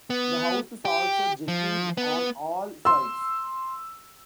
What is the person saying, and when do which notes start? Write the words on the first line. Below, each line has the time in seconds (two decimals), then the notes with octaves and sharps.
The house is also jettied on all sides.
0.10 B3
0.85 G4
1.48 F3
1.97 B3
2.85 C6 E6